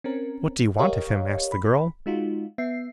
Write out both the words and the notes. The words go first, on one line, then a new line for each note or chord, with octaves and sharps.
"What do you want of him?" asked the girl.
C4 C#4 A#4
G4 A#4 C#5 D#5 F5
B5
G#3 D#4 F4 F#4
B3 E5 C7